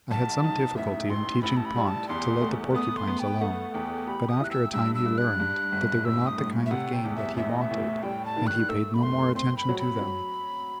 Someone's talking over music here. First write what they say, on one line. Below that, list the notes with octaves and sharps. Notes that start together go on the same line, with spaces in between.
I had some difficulty in teaching Pont to let the porcupines alone, but after a time he learned that they were not the kind of game that he wanted, and he paid no more attention to them.
B1 A5
D#4
A1 E5
A1 C6
A1 B5
A5
B5
G3
A5
E2 C6
A3
B3 D#6
C6
B3
G5
A3 F#5
E2 G5
G4 B5
D#6
E4 F#6
E6
G2 E6
E6
G2
F#6
G2
G1
A2 E6
D#6
A2
E5
C3 F#5
G5
E2
E5
A1 E5
D#5
E5
A2
G3 G5
A5
D#3
F#6
A3 E6
B5
F#1 C6
C4 C6
B5
F#3
B5
F#3